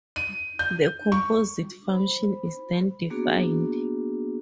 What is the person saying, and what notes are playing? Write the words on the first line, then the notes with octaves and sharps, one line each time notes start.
The composite function is then defined.
D#7
G6
C#6
C5 B5
A#3 B3 D4 F#4 G#4